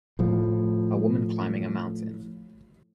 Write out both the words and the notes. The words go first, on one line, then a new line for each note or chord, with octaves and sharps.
A woman climbing a mountain.
A2 F3